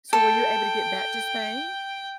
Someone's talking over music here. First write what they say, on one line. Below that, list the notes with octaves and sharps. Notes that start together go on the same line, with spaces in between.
So were you able to get back to Spain?
A4 G5